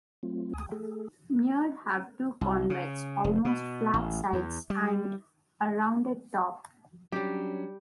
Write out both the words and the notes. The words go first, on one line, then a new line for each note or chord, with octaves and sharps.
Mere have two convex, almost flat sides and a rounded top.
F#3 A3 C4 F4
D2 G#5 D#6
A3 G#4 A4
C2
C#3
F1
B2
A1
E2
G3
F#3 G3 C#4 D4 G4